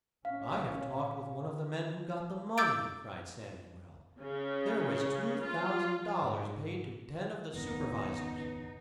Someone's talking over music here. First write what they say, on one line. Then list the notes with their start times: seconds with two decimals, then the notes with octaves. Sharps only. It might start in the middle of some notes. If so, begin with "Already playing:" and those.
"I have talked with one of the men who got the money!" cried Samuel. "There was two thousand dollars paid to ten of the supervisors."
0.25 A#2 C#4 F5
2.58 D6 E6 G6 A6 D7
4.19 C#3
5.41 F4
6.18 G#2
7.54 F1 D#2 G#2 C#3 B3 D#4